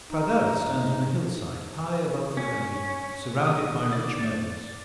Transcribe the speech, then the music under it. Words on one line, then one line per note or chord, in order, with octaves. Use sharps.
Pradelles stands on a hillside, high above the Allier, surrounded by rich meadows.
D#4
C#4
D#6
D5